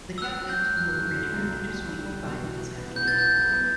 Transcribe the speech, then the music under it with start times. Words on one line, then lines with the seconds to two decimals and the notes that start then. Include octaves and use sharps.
The captives were returned to Sweden five months after the end of the war.
0.18 E6
0.22 F#3 F#6
0.41 F#3
0.49 G6
0.58 F#3
0.77 F#2 F#6
0.96 D3
1.14 D3
1.32 B1
1.50 G3
1.69 B1
1.86 G3
2.05 G3
2.24 B2
2.42 E3
2.59 E3
2.78 B3
2.96 B3 G6
3.08 A6
3.14 B3 G6
3.33 B1
3.52 B3